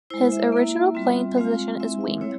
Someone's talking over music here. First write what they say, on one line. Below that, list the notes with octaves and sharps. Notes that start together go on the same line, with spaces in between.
His original playing position is wing.
G#3 E4 C5
E5
A#3 E4
G3 C4 F4
G#3 C4 F4 F5
G#3 C4 E4 E5
E5
G3 C4 E4 C#5